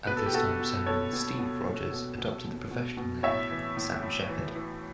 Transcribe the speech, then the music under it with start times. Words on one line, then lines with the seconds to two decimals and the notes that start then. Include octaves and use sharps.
At this time Samuel "Steve" Rogers adopted the professional name Sam Shepard.
0.07 B2 B4
0.17 A4
0.26 G4
0.33 B2 F#4 A4
0.60 B2
0.86 B2 A4 C#5
1.13 B2
1.39 B2
1.66 B2
1.92 B2
2.18 B2
2.45 B2
2.71 B2
2.97 B2
3.23 A2 C#5 E5
3.51 E3
3.77 A2
4.03 A2
4.29 E3
4.55 E3